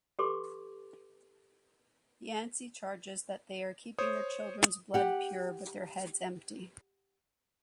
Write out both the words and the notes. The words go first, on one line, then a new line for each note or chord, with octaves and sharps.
Yancey charges that they are keeping their children's blood pure, but their heads empty.
G4 A4 B4 C6 D6
C5 C#5 D#6
G4 F#5